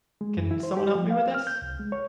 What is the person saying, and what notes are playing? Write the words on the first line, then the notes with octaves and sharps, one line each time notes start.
Can someone help me with this?
G#3
F#2
E4
C5
G4
F3
F5
F6
G6
C2
G#3
C#5